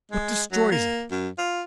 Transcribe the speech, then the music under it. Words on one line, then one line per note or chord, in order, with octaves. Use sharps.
What destroys it?
G#3
F#3
A#3
F#2
F4